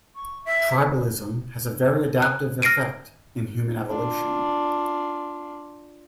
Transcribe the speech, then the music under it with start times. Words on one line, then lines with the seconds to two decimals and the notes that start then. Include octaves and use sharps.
Tribalism has a very adaptive effect in human evolution.
0.15 C#6
0.45 E5
2.22 F#6
2.62 F6 A#6 C7 D7 D#7
3.89 D4 F4